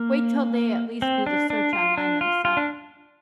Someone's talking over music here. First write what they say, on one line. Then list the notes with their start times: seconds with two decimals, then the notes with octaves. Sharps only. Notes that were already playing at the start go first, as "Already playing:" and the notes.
wait till they at least do the search online themselves.
Already playing: A#3
1.02 C4
1.26 D4
1.50 D4
1.73 F4
1.98 D4
2.21 F4
2.45 F4
2.57 D4